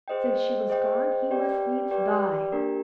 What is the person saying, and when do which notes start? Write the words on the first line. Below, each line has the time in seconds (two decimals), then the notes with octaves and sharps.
Since she was gone, he must needs die.
0.08 G#4 C5 D#5 G5
0.70 G#4 C5 D#5 G5
1.31 G4 B4 D5 G5
1.91 G4 B4 D5 G5
2.52 A#3 D4 G4 A#4